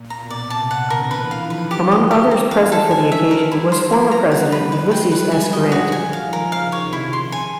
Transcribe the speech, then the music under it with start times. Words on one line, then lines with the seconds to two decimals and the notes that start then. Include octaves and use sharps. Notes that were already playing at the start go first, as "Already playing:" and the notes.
Among others present for the occasion was former President Ulysses S. Grant.
Already playing: A#2
0.10 A#5
0.20 B2
0.30 D5
0.50 C3 A5
0.71 F#5
0.80 D3
0.90 A#4
1.11 D3 E3 B4
1.31 F5
1.41 D#3 F3
1.50 B4
1.71 D3 E3 G4
1.92 D#5
2.11 G4
2.31 A#5
2.51 F5
2.72 A4
2.91 G#5
3.12 E5
3.31 A#4
3.51 F3 G3 E4
3.72 C5
3.92 E4
4.12 A#5
4.32 F#5
4.52 B4
4.72 F#3 G#3 B4
4.91 G5
5.02 F3 G3
5.12 B4
5.32 G#5
5.53 D#5
5.72 F#4
5.92 G#5
6.13 F5
6.23 D#3 F3
6.33 A#4
6.52 C#3 F5
6.72 C#5
6.83 C3
6.93 E4
7.13 C#3 C6
7.32 G#5